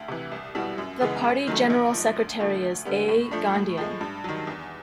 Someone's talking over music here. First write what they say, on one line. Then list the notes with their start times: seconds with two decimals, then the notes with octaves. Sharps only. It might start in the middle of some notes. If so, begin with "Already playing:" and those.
The party general secretary is A. Gandhian.
Already playing: D2
0.08 C3 E3
0.32 C2
0.55 B2 G3 B3 E4
0.78 F#2
1.01 C#3 E3 G#3 B3
1.24 F#2
1.47 D#3 F#3 A3
1.70 A#1
1.93 G#2 F3
2.16 D2
2.39 D3 F3 A3
2.62 D2
2.85 D3 G3 B3
3.08 A2
3.31 F3 A3 D4
3.54 A2
3.77 F3 G#3
4.01 G2
4.24 D#3 F#3
4.47 E2